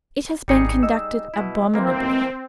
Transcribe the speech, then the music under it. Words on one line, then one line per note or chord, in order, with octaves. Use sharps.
It has been conducted abominably.
G#1 G3 D#4 G#4 C#7
D#5 E6
B2 E4
E3 A#3 C4